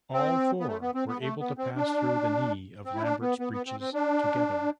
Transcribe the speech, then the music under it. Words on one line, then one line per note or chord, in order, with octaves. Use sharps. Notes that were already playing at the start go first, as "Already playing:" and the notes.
All four were able to pass through the knee of Lambert's breeches together.
C4
B3
A3
B3
C4
B3
A3
B3
C4
D4
C4
E4
D4
B3
B3
B3
C4
C4
D4